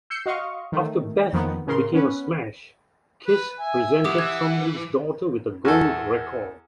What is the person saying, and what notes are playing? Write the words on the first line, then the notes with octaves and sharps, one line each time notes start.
After "Beth" became a smash, Kiss presented Trombley's daughter with a gold record.
E6 G6 C7 C#7
F#4 D#5 F5 C6 C#6
D#3 A3
F2 D#3 F3 A#3 B3 D#4
A2 C#3 A#4 C6
B3 C#4 B4
B4
E5 G#5
B1 E4 G4 F#5 D6 D#6
E3 G#6
E2 F#4 A4